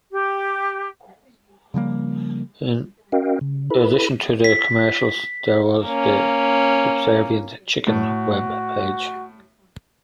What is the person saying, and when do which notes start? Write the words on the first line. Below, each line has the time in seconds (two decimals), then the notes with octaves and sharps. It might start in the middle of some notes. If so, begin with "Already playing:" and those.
In addition to the commercials, there was "The Subservient Chicken" web page.
0.11 G4
1.74 C#3 F3 G3 A#3
3.12 C#4 F#4 A#4 D#5 F5 G5
3.41 C#3
3.70 E4 A4 B4 B5
4.44 B6
5.84 A#3 C#4
7.87 A2 F#4